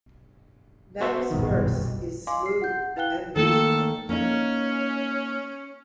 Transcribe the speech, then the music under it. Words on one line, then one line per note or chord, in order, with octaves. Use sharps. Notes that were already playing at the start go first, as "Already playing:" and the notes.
Nabbes' verse is smooth and musical.
B3 F#4 C5 E5
F#1 B1 G2 A#2 D#3 G3
D#5 F5 G#5 C6 D6
C7
F#5 G6
E4 B4 F5 G5 F#6 G7
D#3 A3 A#3 A4
A#3 C#4 D#4